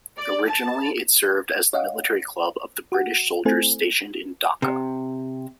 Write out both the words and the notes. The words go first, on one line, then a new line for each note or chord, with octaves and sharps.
Originally it served as the military club of the British soldiers stationed in Dhaka.
D5
A5
C#5 D#5 F5 F#5
F#4 F#5
A3 C4 E4 A4 C5 G#5
C3